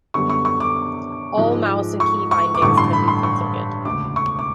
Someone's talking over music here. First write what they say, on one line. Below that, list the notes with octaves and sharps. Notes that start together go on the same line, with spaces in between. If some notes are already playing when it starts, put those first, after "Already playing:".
All mouse and key-bindings can be configured.
F#2 D3 G3 B3 C#6
C#6
C#6
D6
G#2 F3 G#3
C#6
C#6
D6
A1 G2 D3 C#6
C6
B5
C6
C#6
E1 D2 C#3 D6
C#6
D6